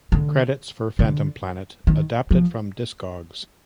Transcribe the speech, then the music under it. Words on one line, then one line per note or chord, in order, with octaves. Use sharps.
Credits for "Phantom Planet" adapted from Discogs.
D3
D3
D#3
F3